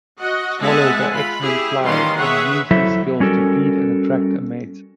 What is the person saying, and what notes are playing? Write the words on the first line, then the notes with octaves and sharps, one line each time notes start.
Swallows are excellent flyers, and use these skills to feed and attract a mate.
F#4 D#5 F#5
G#3 B3 E5 F#5 G#5 A5
F4 B5
E4 G4 G#4
D#3 E3 G3 C#4 F5 C6
G#4 B4 C#5 E5 F#5
F#3 E4 A4 C5 E5
G3 C#4 F#4 A4 A#4